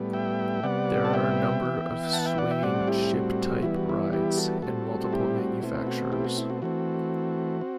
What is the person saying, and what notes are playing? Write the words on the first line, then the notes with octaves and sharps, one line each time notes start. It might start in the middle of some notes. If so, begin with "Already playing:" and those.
There are a number of Swinging Ship-type rides, and multiple manufacturers.
Already playing: A2 G3 B3
E5 G5
C3 G3 B3 D5 F#5
A5
E5 G5
E3 B3
F#5 A5
E5 G5
D5 F#5
E5 G5
A2 G3 C4 D5 F#5
E4 G4
F#4
E3 G3 B3 E4
F#4
E4
E4 G4
F#4 A4
A2 G3 C4 F#4 A4
E4 G4
F#4
B2 A3 C4 E4
F#4
E4 G4
F#4
E4
F#4
E3 A3 C4 F#4
C4